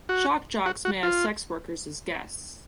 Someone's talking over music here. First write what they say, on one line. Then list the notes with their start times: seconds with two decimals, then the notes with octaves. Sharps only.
Shock jocks may have sex workers as guests.
0.09 F#4
0.66 F#4
0.85 F#4
1.03 F4